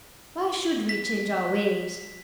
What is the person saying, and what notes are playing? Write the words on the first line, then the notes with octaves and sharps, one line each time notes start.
Why should we change our ways?
B6